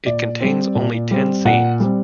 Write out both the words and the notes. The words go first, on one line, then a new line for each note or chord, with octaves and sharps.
It contains only ten scenes.
A#2 D5
G3 C4
A#2
G3 C4
A#2 F#5
G3 C4